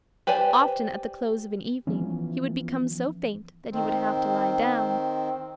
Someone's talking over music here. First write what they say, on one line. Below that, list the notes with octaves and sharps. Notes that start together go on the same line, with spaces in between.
Often at the close of an evening he would become so faint that he would have to lie down.
G4 B4 C5 D5 G#5
E3 F3 B3 C#4
D#3 C4